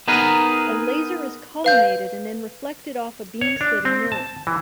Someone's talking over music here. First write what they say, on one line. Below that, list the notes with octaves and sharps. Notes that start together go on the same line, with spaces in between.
A laser is collimated and then reflected off of a beam-splitting mirror.
B3 D#4 G#4 A#4 B4
B4 F5 G6
C#5
D4
C4
A5
E3